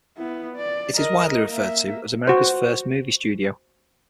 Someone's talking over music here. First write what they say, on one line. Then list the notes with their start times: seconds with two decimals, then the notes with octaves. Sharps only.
It is widely referred to as America's First Movie Studio.
0.17 B3 E4
0.56 D5
0.95 A#4 D#5
1.50 A#3 E5
2.27 F#4 C5